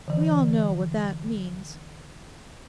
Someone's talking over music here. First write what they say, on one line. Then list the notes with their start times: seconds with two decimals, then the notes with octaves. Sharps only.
We all know what that MEANS.'
0.08 D3 E3